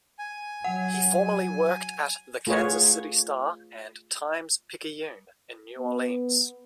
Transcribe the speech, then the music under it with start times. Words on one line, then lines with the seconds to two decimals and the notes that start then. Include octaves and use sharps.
He formerly worked at "The Kansas City Star" and "Times-Picayune" in New Orleans.
0.19 G#5
0.64 F#3 F#5
2.47 A3 F4 G#4 B4 C#5 F#5
5.78 B3